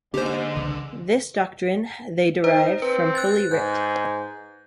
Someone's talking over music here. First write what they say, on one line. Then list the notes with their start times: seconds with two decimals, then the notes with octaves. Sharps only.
This doctrine they derived from Holy Writ.
0.14 G#2 D3 A#3 C4 G4 C5
0.56 C2 C#3 E3
2.44 D#4 C5
2.82 C4 B4
3.15 F#6 A6
3.51 G#2 G6